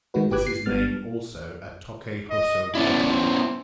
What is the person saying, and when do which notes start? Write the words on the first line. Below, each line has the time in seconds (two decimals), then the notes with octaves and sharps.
This is name also a Tokai Hoso Kaikan.
0.14 D#3 G#3 A3 F#4 B4
0.31 G1 G4 B4 D6 F#6 G#6
0.47 C7
0.66 G1 G3 B3 F6 A6
2.31 D#5
2.75 B3 C#4 E4 D5
3.09 C4